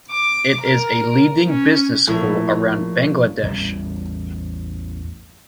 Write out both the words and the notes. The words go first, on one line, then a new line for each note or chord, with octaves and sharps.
It is a leading business school around Bangladesh.
D6
A#4
C#4
A#1 A2 E4
A1 E2 G3 A3